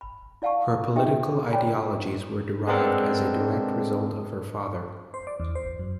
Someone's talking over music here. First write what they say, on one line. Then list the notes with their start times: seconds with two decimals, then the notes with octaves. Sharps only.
Her political ideologies were derived as a direct result of her father.
0.01 B5
0.42 E4 D5 F5 F#5 A5 C#6
0.96 D#4 G4 G#4 D#5 E5 G5
1.51 C#5 D5 G5 G#5 A#5 B5
2.67 G#3 B3 C4 D4 A4 A#4
5.14 C5
5.27 D5
5.40 E2
5.55 C5
5.79 F#2